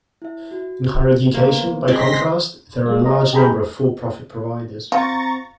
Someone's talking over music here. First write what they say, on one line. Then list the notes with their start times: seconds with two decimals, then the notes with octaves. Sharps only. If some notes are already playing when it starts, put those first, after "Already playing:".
In higher education, by contrast, there are a large number of for-profit providers.
0.22 E4 E5
0.51 F#4
1.34 A#3 B3 B4 C5
1.88 G#3 C4 D5 C6 A#6 B6
2.86 G#3 A#3
3.04 D#5 A#5
3.33 G4 G#4 A#5 B5 G6
4.92 C4 F4 F#5 A#5 C#6 A6